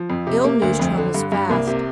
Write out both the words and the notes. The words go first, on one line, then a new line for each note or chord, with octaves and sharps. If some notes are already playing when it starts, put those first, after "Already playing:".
Ill news travels fast.
Already playing: F3
F2
C3
A#3
D2
F2
D3
G2
G2
C2 A#3
C3